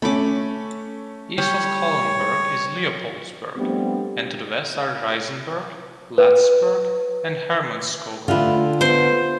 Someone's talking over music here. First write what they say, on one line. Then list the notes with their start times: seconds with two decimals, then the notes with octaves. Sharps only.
East of Kahlenberg is Leopoldsberg; and to the west are Reisenberg, Latisberg, and Hermannskogel.
0.02 A3 C#4 B5 D6
1.38 G3 C#5
3.57 F3 G3 A3 B3 C4 D4
6.18 B4
8.28 D3 A3 F4 G4 B4 E5
8.81 B3 C5